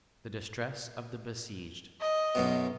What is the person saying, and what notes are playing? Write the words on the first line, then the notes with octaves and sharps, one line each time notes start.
The distress of the besieged.
D#5
B1 F#2 B2